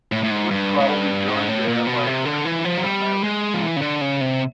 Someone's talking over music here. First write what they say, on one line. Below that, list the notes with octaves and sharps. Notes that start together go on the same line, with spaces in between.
She was probably joined there by her sister Marianne.
A2
A2
G#2
G2
G#2
G2
G#2
A2
A#2
B2
C3
D3
E3
F3
F#3
G3
G#3
F3
E3
C#3
D3
C#3
C3